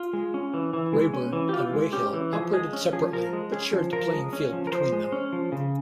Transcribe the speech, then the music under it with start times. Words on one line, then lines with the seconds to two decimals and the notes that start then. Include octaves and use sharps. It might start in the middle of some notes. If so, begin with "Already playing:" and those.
Raeburn and Weyhill operated separately but shared the playing field between them.
Already playing: F4
0.13 G#3
0.34 C#4
0.54 E3
0.73 E3
0.93 G#3
1.14 C#4
1.33 E3
1.49 G4
1.53 E3 F4
1.73 G#3
1.93 C#4 G4
2.13 E3
2.33 F3 G#4
2.53 G#3 G#4
2.73 C#4
2.93 F3 G#4
3.13 F3 A#4
3.33 G#3
3.52 C#4 G#4
3.73 F3
3.93 F3 A#4
4.13 G#3
4.33 C#4
4.53 F3
4.67 A#4
4.72 F3 C5
4.92 G#3
5.12 C#4
5.33 F3
5.52 C#3